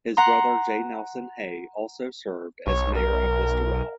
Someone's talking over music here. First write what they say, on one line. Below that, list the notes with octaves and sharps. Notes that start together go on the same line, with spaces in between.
His brother J. Nelson Hay also served as mayor of Listowel.
F#5 A#5 C6
B1 C#5
A#4